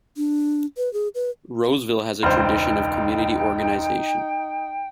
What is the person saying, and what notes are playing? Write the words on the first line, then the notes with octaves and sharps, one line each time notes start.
Roseville has a tradition of community organization.
D4
B4
G#4
B4
E1 C#2 D#4 C5 G5